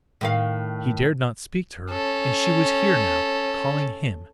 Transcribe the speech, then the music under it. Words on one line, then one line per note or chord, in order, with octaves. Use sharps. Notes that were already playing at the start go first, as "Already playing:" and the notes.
He dared not speak to her--and she was here now, calling him!
A2 D#3 F5
C#4 A4